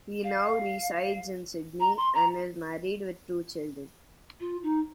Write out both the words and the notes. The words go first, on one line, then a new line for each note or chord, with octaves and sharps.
He now resides in Sydney, and is married with two children.
F5
A#5
C6
A#5
F4
D#4